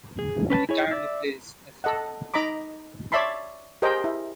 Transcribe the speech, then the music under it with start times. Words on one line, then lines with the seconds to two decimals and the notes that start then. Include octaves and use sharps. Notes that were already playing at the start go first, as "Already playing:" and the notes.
He currently plays as a defender.
0.19 G#4
0.50 C#4 B4 G5 A5
0.69 E4 G#4 C#5
0.91 D5 E5
1.84 A4 D#5 F#5
2.34 D#4 D#5 A#5 B5 D6
3.12 C#5 D5 E5 A5 B5 C6
3.82 G4 G#4 A#4 C5 D#5 G5
4.04 E4